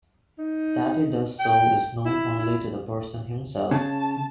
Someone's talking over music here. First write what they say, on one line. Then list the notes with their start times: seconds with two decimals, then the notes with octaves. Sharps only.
That he does so is known only to the person himself.
0.38 D#4
1.39 G5
2.05 E4
2.39 E4
3.71 C#3 A5